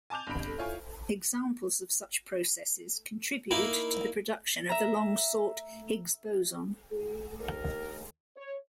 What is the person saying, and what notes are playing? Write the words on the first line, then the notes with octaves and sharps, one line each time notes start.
Examples of such processes contribute to the production of the long-sought Higgs boson.
G#5 A5 D6 G6 F7
G1 C3 D4 B5 D7
E4 F4 C#5 F5 G#5 C#6
A#3 D#4 E4
E5 A#5
D#2 A#4
C#5